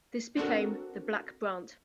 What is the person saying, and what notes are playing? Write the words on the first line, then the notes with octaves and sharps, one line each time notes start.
This became the Black Brant.
C4 D4 F#4 A4 A#4